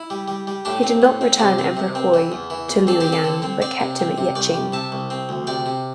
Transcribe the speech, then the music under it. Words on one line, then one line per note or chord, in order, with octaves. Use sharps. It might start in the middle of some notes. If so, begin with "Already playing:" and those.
He did not return Emperor Hui to Luoyang, but kept him at Yecheng.
Already playing: E4
G3
G3
G3
A2 D4 G4
C4
A2
C4
C3 G4 C5
C4
C3
C4
E3
E2
E3
E2
C4 A4 D5
G4 C5
C4
A4 D5
D3
C4
C4 D5 G5
C3
C4
C3
C2 D5 G5
G3
C3 E5 A5
C2
C4
D2
C3 D5 G5
C3